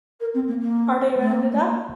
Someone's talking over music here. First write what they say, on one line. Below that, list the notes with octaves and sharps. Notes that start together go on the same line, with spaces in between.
Are they rounded up?
A#4
C4
A#3
A#3
A3
A#3
A3
A#3